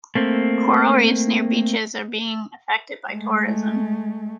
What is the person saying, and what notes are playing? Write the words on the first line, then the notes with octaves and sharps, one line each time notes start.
Coral reefs near beaches are being affected by tourism.
A3 A#3 C4
G#3 A3